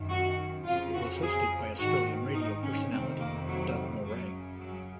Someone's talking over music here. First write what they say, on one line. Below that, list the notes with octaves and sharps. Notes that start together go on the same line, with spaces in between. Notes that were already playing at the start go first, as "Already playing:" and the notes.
It was hosted by Australian radio personality Doug Mulray.
Already playing: F#2 D#3
F#4
F2 C#3 F4
F#4
G#4
G#2 D#3 F#4
D#4
C#4
F2 C3 D#3 C4
A#3
F#3
F#2 C#3 F#3
F#3